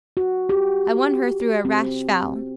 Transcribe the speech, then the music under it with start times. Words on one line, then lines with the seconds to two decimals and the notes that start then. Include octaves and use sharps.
I won her through a rash vow.
0.17 F#4
0.49 G4
1.65 C4